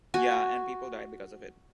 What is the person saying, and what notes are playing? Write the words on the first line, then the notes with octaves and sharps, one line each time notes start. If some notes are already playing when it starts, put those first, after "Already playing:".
Ya and people died because of it.
F#4 G#5